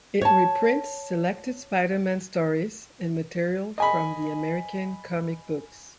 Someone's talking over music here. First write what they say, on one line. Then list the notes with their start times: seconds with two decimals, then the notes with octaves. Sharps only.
It reprints selected Spider-Man stories and material from the American comic books.
0.21 C#5 A5
3.78 D#5 G#5 B5